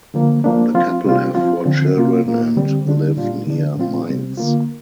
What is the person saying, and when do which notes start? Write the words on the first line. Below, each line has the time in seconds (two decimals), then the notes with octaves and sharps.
The couple have four children and live near Mainz.
0.14 D3 F3 A#3
0.44 F3 A#3 D4
0.74 F3 C4 F4
1.04 C3 G3 C4 F4
1.35 F3 C4 F4
1.65 D3 F3 C4
1.96 C3 A#3 F4
2.26 A#2 A#3 F4
2.56 D3 G3 C4
2.86 D3 G3 D4
3.16 A#2 G3 D4 F4
3.47 D3 F3 D4
3.77 A#2 F3 C4 F4
4.07 C3 G3 C4
4.37 D3 A#3 F4